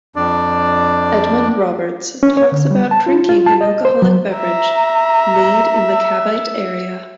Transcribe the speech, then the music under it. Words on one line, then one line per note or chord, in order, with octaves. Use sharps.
Edmund Roberts talks about drinking an alcoholic beverage made in the Cavite area.
F2 D4 D5
C#4
C#5
D3
G3
A5
F4
F4
A5
D#5
C5
F#3
E5 A#5